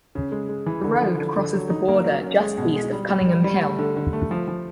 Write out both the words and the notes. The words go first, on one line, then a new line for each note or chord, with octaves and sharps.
The road crosses the border just east of Cunningham Hill.
C#3
G#3
G#3
E3
D3
F3
D3
D3
F#3
D#4
A#3
F#3
C#4
G#3
B2
G#3
G3
G3
G3
G3
A3
D3
D3
A3
F3
F3